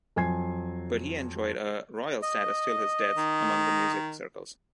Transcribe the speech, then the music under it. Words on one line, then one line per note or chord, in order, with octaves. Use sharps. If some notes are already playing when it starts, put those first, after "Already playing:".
But he enjoyed a royal status till his death among the music circles.
F2 F#3 G#5 G#6 C7
D#5
D#3